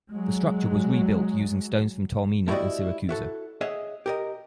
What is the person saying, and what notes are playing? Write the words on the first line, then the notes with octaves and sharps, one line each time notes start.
The structure was rebuilt using stones from Taormina and Siracusa.
F#3 G#3
A3 E4 F#4 G4 D5 D#5
E4 F#4 A4
G#4 C#5 D#5 E5 F#5
G4 A#4 D#5